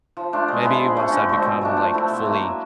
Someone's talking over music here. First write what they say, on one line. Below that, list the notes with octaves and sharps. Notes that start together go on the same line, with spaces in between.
maybe once I become like fully
F3
A3 D4 F4
G#3
B3 E4 G#4
F3
A3 C#4
D3
F3 G#3 C4
B2
F#3 A3 D4
F3
A3 C4 E4
B2
F#3 A#3
F#3